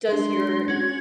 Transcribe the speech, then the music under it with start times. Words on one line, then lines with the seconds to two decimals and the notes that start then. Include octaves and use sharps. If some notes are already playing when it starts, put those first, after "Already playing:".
does your
0.09 G#3 D4 C6
0.68 C#4 F#4 G#6